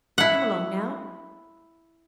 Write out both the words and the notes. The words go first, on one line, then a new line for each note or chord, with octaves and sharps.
Come along, now.
E4 F#5